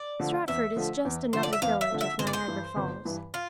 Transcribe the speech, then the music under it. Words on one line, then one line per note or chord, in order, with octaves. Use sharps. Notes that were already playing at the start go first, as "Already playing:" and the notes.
Stratford is just another village of Niagara Falls.
Already playing: D5
D3 F3 A3
E2 E5
D3 F3 A3
E2
D3 F3 A3 C5
D5
E5
E2 F5
E5
D3 F3 A3
E5
G1 C5
D5
C5
G2 E3
G1
G2 E3
F4